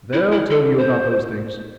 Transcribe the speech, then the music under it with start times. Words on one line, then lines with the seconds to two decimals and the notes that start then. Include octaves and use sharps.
They'll tell you about those things.
0.13 E4
0.32 E4
0.50 A4
0.79 C5